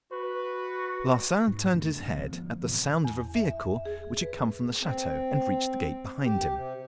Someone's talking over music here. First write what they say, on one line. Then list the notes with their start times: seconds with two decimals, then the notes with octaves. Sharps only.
Larsan turned his head at the sound of a vehicle which had come from the chateau and reached the gate behind him.
0.12 F#4 B4
1.47 G#2
1.73 E2 D3 A3 D4
2.00 A1 F2 G#2 D3
2.16 D3 F3 C4
2.32 F3 B3
2.63 A2 C3 E3
3.05 E2
3.35 E5
3.85 G#4
4.22 B4
4.81 C4
6.23 G4
6.54 C3